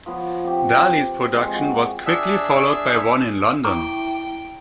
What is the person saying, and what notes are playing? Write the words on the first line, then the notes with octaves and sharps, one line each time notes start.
Daly's production was quickly followed by one in London.
F3 B3 C#5
C4 G4
G#3 C4 F4
F#4
D4 G#4 E5
E4 G5 A#5 C#6 D6